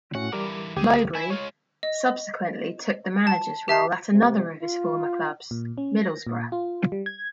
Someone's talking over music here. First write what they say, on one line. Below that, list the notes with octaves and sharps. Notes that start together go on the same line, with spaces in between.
Mowbray subsequently took the manager's role at another of his former clubs, Middlesbrough.
A2 C#4 F#4 F#5
D3 E3 G3 A#4 D6
D2 D3 G4 G#4
E4 E5 G#5
G#3 F4 C#5
D#5
A5
G4 E5 A5 C7
C3
F4
A#2
C#4
A#6
A#2
F4
G3
G#6